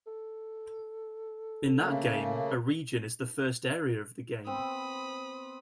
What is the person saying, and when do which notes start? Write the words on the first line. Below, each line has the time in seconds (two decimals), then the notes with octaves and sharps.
In that game, Eregion is the first area of the game.
0.07 A4
1.81 C#3 A3 A#3
4.47 B3 C4 C5 B5 D#6